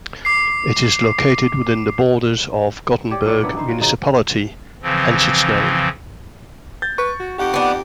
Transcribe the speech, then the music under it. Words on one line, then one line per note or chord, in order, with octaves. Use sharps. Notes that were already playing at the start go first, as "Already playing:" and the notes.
It is located within the borders of Gothenburg Municipality, hence its name.
D6 C7
G4 C#5 D5
A#2 C#5 D5
A#3 B3 D4 E4
B3 D#4 C5
C#4 F4 F#4
C#3 D#4
C#3 E3 F3 C4
G6 A6
B4 C#6
F#4
F2 D#4 G4 F#5
B3 D4